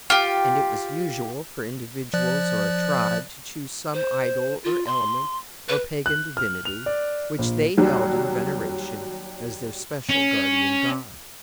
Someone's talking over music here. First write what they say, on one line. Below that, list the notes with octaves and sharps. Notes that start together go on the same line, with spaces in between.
And it was usual for individuals, or a tribe, to choose some idol, or element, or pagan divinity, which they held in veneration as their special guardian god.
F4 G4
F3 D5 F#6
C5
F4
C6
B4
F#6
F6
F7
D5
A#1
D#2 F#3 G3
C#4